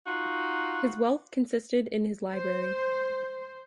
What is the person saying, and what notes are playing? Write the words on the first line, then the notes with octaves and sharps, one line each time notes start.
His wealth consisted in his library.
D#4 F4 F#4
C5